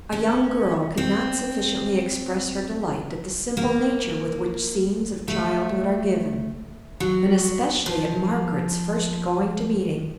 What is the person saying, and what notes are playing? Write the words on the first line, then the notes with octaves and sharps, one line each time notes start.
A young girl could not sufficiently express her delight at the simple nature with which scenes of childhood are given, and especially at Margaret's first going to meeting.
C#4
C4
A#3
A3
F#3
F3